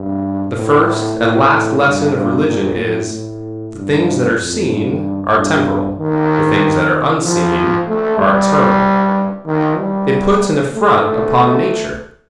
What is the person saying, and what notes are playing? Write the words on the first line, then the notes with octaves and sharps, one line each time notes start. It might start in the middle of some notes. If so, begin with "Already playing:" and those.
The first and last lesson of religion is, "The things that are seen, are temporal; the things that are unseen, are eternal." It puts an affront upon nature.
Already playing: G2
A2
A2
G2
G2
A#2
A2
A2
G2
F2
G2
G2
D#3
F3
A3
G3
D#3
G3
A3